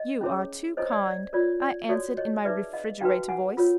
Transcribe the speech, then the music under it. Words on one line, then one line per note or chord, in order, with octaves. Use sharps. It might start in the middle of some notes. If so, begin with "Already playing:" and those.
'You are too kind,' I answered, in my refrigerator voice.
Already playing: D#5
C#4 E4 G#4 C#5
E4 A4 C5 C#5 D#5
D5
D5
F4 A#4 C#5 D5
D5
F#4 A4 C#5 D5
C#5 D#5
D#4 G#4 B4 D5 E5
D#5 F5
D#4 F#4 B4 F5 G5
F#5 G#5
F4 A#4 C#5